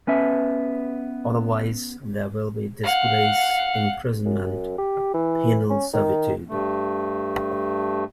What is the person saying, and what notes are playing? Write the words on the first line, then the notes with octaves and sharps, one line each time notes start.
Otherwise there will be disgrace, imprisonment, penal servitude.
B3 C#4 B4 E5
F5 F#5
F#2
G4
E3
C#4
D#3
G2 A3